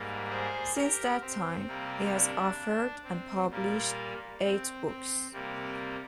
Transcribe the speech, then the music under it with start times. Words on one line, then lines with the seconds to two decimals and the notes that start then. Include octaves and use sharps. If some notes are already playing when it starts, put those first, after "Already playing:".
Since that time, he has authored and published eight books.
Already playing: G#2 G3 A#3
0.29 G#4 C5
0.75 G4 A#4
1.21 C4
1.67 C3 G3 A#3
2.13 D4
3.04 C4
3.50 A#2 G3 A#3
4.42 C4
4.86 C4
5.32 C3 G3 A#3